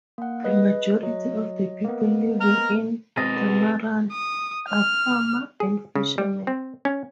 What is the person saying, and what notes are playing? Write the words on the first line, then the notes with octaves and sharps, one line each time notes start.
The majority of the people living in Dumaran are farmer and fisherman.
A#3 F#5
G#4 B4 D#5
F#3 D#5
A#3 B3
A#5 F6
B2 G#3 C4 G#4 B4 D#5 A6
D#6
F6
G#4
C#3
G3
C4
C#4